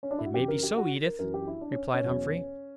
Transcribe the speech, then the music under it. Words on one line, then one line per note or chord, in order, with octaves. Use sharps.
"It may be so, Edith," replied Humphrey.
C#4
D4
E4
F#4
F#2 C#3 E3 G4
A#4
G4
F#4
A#4
F#2 E3 A#4
G4
E4
D4
C#4
C#4
E2 B2 F#3